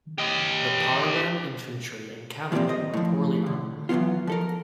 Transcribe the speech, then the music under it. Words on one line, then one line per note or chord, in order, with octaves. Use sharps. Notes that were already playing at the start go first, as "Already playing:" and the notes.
The Pauravan infantry and cavalry were poorly armoured.
G4 D#5
E3 F3 G3 G#3 A#3 C4
C5 D#5
A2 F3
D3
E3 F#3 G#3 B3 F4
F3 A4 A#4